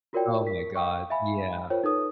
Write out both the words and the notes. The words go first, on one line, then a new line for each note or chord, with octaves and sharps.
Oh my god. Yeah.
F4 F#4 A#4 C#5 D5 G5
A#4 B6
F5 G5 C#6
E5 F5 G#5 B5
F4 A#4 C5 C#5 G5
D#4 A4 B4 C#5 D#6